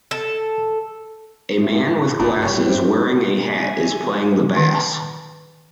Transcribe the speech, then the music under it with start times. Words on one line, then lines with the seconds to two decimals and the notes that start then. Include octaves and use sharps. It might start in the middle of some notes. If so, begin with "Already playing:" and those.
A man with glasses wearing a hat is playing the bass.
0.11 A4
1.59 A2 C6
2.19 G1 E2 B4
2.42 G2 G3 C#4
2.67 C4 D4 E4
3.48 E5 G#5
4.57 D#3